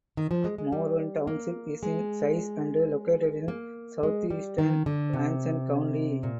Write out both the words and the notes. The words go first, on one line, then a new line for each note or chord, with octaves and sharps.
Morven Township is in size and located in southeastern Anson County.
D#3
F3
G#3
G#3
G3
A#3
G#3
A#3
G#3
G3
D#3
D3
C3
A#2